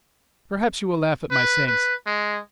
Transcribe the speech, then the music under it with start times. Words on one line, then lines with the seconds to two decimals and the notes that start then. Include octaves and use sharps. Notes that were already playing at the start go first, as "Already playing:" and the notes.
Perhaps you will laugh at my saying so.
1.31 B4
1.67 B4
2.06 G#3